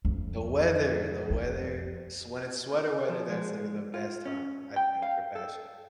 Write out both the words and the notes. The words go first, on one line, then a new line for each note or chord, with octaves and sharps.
The weather! The weather s when it's sweater weather, that's, like, the best time, I think, for fashion.
F2
F2
F3
G#3
F4
C#4
G5
F5
A4